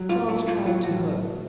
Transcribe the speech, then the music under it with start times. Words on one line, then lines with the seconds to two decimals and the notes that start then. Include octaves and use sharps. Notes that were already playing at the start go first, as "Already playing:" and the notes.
Charles tried to hope.
Already playing: F#3
0.09 A2 F4
0.28 A3 E4
0.47 A2 F4
0.65 F#3 F4
0.83 A2 F#4